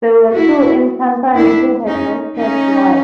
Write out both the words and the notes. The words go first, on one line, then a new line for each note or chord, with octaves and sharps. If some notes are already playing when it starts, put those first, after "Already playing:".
There were two in company who had not shed blood.
E4 F#4
D4 E4
C#4 D#4
C#4 D#4